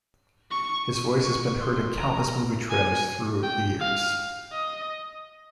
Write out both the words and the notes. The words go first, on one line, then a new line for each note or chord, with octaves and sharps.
His voice has been heard in countless movie trailers through the years.
C#6
C#6
C6
A#5
G#5
G5
F5
D#5